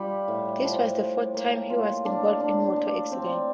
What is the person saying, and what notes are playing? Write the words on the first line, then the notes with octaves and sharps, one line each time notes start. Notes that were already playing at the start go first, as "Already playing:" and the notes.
This was the fourth time he was involved in motor accident.
Already playing: G3 D4 F4
A2
F3
A2
A#3
F4
D4
D4
D4
C4